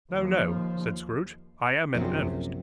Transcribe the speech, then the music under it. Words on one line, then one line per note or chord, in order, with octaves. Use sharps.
'No, no,' said Scrooge. 'I am in earnest.
D#2 F3
A#1 F#2 C3